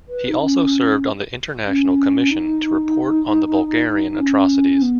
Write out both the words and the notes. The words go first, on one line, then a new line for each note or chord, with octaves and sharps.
He also served on the International Commission to report on the Bulgarian Atrocities.
B4
D#4
C#4
C#4
D#4
C#4
B3